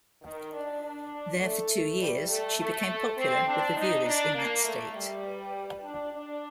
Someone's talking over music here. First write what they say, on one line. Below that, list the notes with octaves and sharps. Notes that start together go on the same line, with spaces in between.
There for two years, she became popular with the viewers in that state.
D#3
D4
D4
A3
G3
A3
A3
C4
D4
D#4
D4
A#3
A3
G3
D4
D4